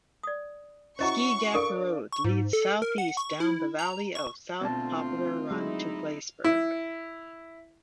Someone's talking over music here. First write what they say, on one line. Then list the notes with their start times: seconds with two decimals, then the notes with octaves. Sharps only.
Ski Gap Road leads southeast down the valley of South Poplar Run to Claysburg.
0.23 D5 D#6
0.99 C#4 E4 F#4 C5 D#5 A#5 C#6
1.54 D4 A4 A#4 F5 D#6 D7
2.12 C#6
2.25 G#2
2.53 A4
2.82 A#4
2.98 F#5
3.17 C#6
3.40 E4
3.79 A#5
4.15 C#6
4.61 D2 B2 C4 F4 A5
5.51 F#3 G#3 D#4 E4
6.44 E4